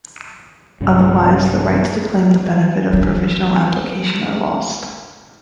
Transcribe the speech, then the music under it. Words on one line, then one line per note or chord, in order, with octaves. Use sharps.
Otherwise, the rights to claim the benefit of provisional application are lost.
A#1 G2 C3 C#4
E3 D#4